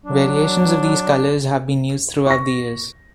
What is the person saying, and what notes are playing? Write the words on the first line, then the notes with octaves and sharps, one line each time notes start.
Variations of these colours have been used throughout the years.
F#3 D4
C#6 A#6